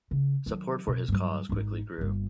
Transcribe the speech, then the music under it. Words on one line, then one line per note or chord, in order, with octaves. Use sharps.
Support for his cause quickly grew.
C#3
D#3 F#3
B2
G2 F#3
G#1 D#4
G1 A#3